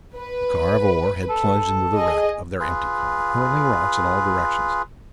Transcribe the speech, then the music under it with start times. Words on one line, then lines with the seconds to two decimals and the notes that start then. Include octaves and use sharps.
The car of ore had plunged into the wreck of their empty car, hurling rocks in all directions.
0.15 B4
1.30 A4
1.97 G#4 D#5
2.60 F4 G#4 B4